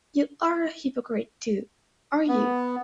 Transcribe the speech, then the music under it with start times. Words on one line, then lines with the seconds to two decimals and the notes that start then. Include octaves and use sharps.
You are a hypocrite, too, are you?
2.29 B3